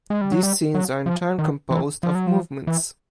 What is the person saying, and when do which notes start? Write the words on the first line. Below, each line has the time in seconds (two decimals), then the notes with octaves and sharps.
These scenes are in turn composed of "movements".
0.10 G#3
0.21 G3
0.32 F#3
0.43 G3
0.74 F#3
1.06 F3
1.39 D#3
1.71 E3
2.03 F3
2.15 F#3
2.27 F3
2.67 E3